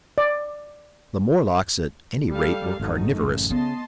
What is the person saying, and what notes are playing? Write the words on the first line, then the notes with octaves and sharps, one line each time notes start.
The Morlocks at any rate were carnivorous!
D5
G3 A4 F5
G#1 C#3 F#3 A3 D#4
A1 F#2 C#3
C#3 B3 D#5 A5 C6